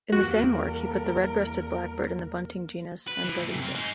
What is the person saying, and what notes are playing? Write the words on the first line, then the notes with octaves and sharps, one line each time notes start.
In the same work, he put the red-breasted blackbird in the bunting genus "Emberiza".
E2 G3 A#3 F#4 G4 A#4
B4
E3 F3
E2 A2
F#2 C3
C4 F4
G#3 D#4